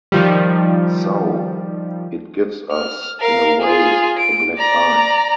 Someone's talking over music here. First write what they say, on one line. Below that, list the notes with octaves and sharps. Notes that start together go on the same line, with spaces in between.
So, it gives us, in a way, a black-eye.
D#3 F3 G3
F6
A#4 F5
F4 G#4
D7
D5 A#5